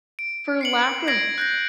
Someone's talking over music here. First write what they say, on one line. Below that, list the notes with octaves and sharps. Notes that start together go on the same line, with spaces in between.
for lack of
D7
C7 C#7 F#7
G#6 A#6 C7 D7 F#7
F#6 G6 A#6